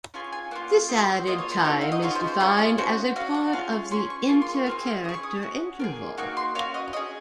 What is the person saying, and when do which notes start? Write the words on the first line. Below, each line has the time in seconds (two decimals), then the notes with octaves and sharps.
This added time is defined as a part of the intercharacter interval.
0.14 C#4 F4 G#4 G#5
0.32 G#5
0.51 A#3 C#4 F4 F#5
0.70 F5
0.89 C4 D#5
0.93 F#4
1.02 C5
1.14 C5
1.27 A#3 F4 G#4 D#5
1.38 C#5
1.51 C5
1.62 C4 D#4 F#4 C#5
1.81 F5
1.92 D#5
2.02 C#4 F4 G#4 C#5
2.15 C5
2.28 C5
2.40 C#4 F4 G#4 C#5
2.59 D#5
2.78 C#4 F#4 C5
3.16 C#4 F#4 F5
3.34 F#5
3.53 C#4 F4 G#4 F5
3.72 C6
3.91 C#4 G#4 C6
4.10 C#6
4.28 A#3 F4 G#4 C#6
4.42 C6
4.54 C#6
4.66 C4 F4 G#4 F6
4.85 F6
5.04 C#4 D#6
5.09 G#4
5.14 C#6
5.23 D#6
5.42 C#4 F#4
5.80 A#3 F4 G#4
6.18 A#3 D#4 F#4 C#6
6.37 C6
6.55 C#4 F5
6.59 F#4
6.74 D#5
6.93 C#4 G#4 D#5